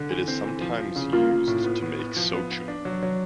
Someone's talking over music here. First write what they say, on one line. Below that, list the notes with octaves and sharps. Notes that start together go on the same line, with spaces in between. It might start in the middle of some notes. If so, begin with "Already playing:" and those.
It is sometimes used to make shochu.
Already playing: D3
E3
C4
E3
F3
F3
C#3
A#3 F4
A#3
A2
B3
B3
B3
F3
B3
B3
D4
F#3
F#3